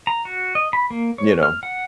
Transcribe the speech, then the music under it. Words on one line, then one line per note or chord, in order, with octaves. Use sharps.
you know.
A#5
F#4
D#5
B5
A#3
C#5
F6
F#5